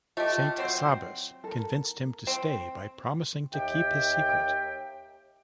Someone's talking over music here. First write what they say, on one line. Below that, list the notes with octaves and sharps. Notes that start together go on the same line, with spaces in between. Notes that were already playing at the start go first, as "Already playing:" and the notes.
Saint Sabas convinced him to stay by promising to keep his secret.
A3 F4 G4 D#5 A5
F#3 C4 C5
A4 A#4
C4 G5
D#2 D#3 G4 E5 G5